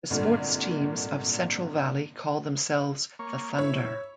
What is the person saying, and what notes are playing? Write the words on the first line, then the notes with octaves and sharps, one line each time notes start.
The sports teams of Central Valley call themselves the Thunder.
G#1 G2 A#2 D3
A#3 C#5
E4 C#5